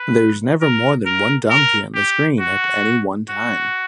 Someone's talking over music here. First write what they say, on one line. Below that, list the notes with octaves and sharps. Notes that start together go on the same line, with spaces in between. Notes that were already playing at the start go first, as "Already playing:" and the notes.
There is never more than one donkey on the screen at any one time.
Already playing: B4
A#4
A#4
A#4
G4
F#4
F#4